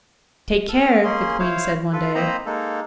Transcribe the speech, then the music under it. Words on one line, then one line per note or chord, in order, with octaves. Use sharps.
"Take care," the Queen said one day.
A4 F6
A#3 C#4 G#4 C6
E4 C5 C#5 F5
F4 A4 B4
A#3 C4 C5 D#5 A#5 B5
G#3 A#3 D#4 A4